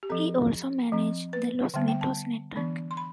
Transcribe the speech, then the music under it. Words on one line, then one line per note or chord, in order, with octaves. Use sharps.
He also managed the Los Nettos Network.
G4
F3 C4 A4
F3 C4
B4
D3 G3 B3 G5
G5
A5
E3 B3 D4
C6
B5